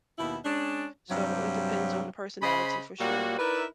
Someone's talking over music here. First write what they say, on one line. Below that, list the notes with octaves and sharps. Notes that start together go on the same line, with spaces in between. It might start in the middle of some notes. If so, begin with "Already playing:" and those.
So it depends on the personality for sure.
D#2 B2 E4
G#3 C#4 D4
G2 C3 F#3
C#3 C5 D#5 B5
A#2 F#3 G3 A#3 F#4
D#4 E4 A#4 B4 D5 E5